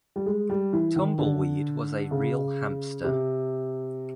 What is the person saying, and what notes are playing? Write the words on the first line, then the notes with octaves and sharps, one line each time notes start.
Tumbleweed was a real hamster.
G3
G#3
G3
E3
D#3
D3
C#3
C3